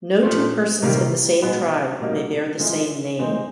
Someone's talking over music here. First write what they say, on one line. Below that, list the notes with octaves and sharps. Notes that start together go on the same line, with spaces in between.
No two persons in the same tribe may bear the same name.
A#2 F3 A3 C4
C3 D#3 G3 A#3
B2 G#3 B3 D#4
B2 G3 A#3 D#4
D3 F3 G#3 C4 E4
E3 G#3 C4 D#4